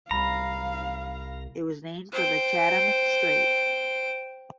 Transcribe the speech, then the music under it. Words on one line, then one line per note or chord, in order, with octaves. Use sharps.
It was named for the Chatham Strait.
C2 F5 A#5 B5
C5 G5